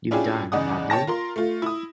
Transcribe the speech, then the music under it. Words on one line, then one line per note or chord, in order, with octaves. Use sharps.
You've done, have you?
C#4 D4 E4 F4 G4 G#4
E2 C#3 D#4 D5 F#5 D#6
C#5 G5 A5 A#6
F4 A#4 C6
A3 F4
E4 D#6